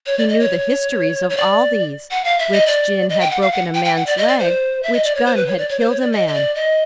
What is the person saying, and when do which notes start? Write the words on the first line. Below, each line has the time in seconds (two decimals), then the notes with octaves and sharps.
He knew the histories of all these--which gin had broken a man's leg, which gun had killed a man.
0.06 C#5
0.18 D5
0.28 D#5
0.40 C#5
1.30 C#5
1.37 D5
2.11 F#5
2.24 F5
2.39 E5
2.53 D#5
2.67 D5
3.09 D#5
3.20 G5
3.31 F#5
3.42 F5
3.52 F#5
3.74 G5
3.84 G5
3.96 F#5
4.06 D5
4.17 D#5
4.28 D5
4.39 C5
4.83 E5
4.93 D#5
5.04 D5
5.15 C#5
5.26 C5
5.36 B4
5.47 C#5
5.58 D5
5.69 C#5
5.79 C5
5.90 C#5
6.01 D5
6.12 D#5
6.28 D#5
6.34 D5
6.55 D#5